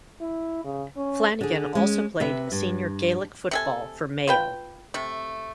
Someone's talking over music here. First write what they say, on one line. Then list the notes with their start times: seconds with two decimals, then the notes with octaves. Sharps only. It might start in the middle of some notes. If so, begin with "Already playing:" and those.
Flanagan also played senior Gaelic football for Mayo.
0.21 E4
0.64 C#3
0.97 C#4
1.41 D3 G#4
1.75 G#3 C#4
2.20 C3 B4 E5
2.52 G2
3.51 C3 A4 G#5
4.27 F4 B4 G5
4.94 C3 A3